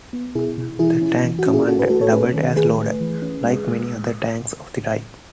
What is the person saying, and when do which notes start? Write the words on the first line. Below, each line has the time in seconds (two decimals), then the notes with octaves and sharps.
The tank commander doubled as loader, like many other tanks of the time.
0.13 B3
0.35 B2 E4 G#4
0.58 B2
0.79 E3 E4 G#4
1.02 C#4
1.24 E3
1.39 F#4
1.46 C#4
1.53 E4 G#4
1.68 C#4 F#4 A4
1.79 G#4 B4
1.90 A3 F#4 A4
2.01 A4 C#5
2.12 C#4 G#4 B4
2.34 D#3
2.56 A3 G#4 B4
2.78 A3
3.01 E3
3.22 C#4
3.44 G#3
3.67 G#3